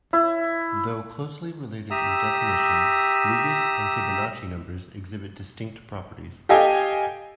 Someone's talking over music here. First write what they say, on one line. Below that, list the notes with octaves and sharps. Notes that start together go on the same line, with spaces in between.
Though closely related in definition, Lucas and Fibonacci numbers exhibit distinct properties.
E4
G4 E5 A#5 D#6 E6
G4 A4 D#5 F5 G5 G#5